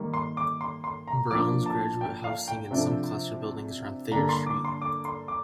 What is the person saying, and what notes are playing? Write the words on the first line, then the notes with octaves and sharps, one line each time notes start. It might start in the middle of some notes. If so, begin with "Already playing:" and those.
Brown's graduate housing and some classroom buildings are on Thayer Street.
Already playing: D#3 G3 A#3
C6
D6
C6
C6
A#5
F3 A#3 D4 D6
A5
G5
F5
G5
C3 F3 A3 D4
D3 G3 A#3 D4 A#5
C6
D6
C6
D6
C6
D6